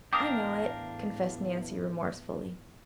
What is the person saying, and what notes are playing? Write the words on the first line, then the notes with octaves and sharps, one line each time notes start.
"I know it," confessed Nancy remorsefully.
E2 A2 D4 A#4 F5 G5 D6 D#6